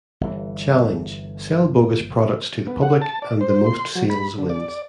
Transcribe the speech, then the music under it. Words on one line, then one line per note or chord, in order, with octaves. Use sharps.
Challenge: Sell bogus products to the public and the most sales wins.
G1 E3
B3
F#5
A5
D5
C5
C6
F#3
B5
D3
D5